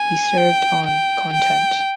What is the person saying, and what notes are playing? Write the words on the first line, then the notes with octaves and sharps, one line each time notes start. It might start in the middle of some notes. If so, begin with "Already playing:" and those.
He served on "Content".
Already playing: G#5
G5
G5
G5